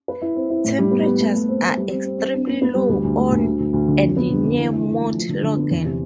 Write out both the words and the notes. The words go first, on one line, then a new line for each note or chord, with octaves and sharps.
Temperatures are extremely low on and near Mount Logan.
B4
E4
C4
E4
A2
G3
B3
B3
A3
A3
C4
A3
G3
C4
C4
C4
D4
B3
B3
G3
D2
D2
A3
D2
D2
D2
D2
D3
F2
B3
D3
D3
E3
E3
E3
A3
F3
D3
D3
B3
E2
C3